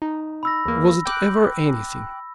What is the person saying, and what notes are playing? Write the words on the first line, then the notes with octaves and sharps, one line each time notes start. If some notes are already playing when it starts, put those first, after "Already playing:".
Was it ever anything?
D#4
B5 E6 A#6
E2 A#3
G5 D6 F#6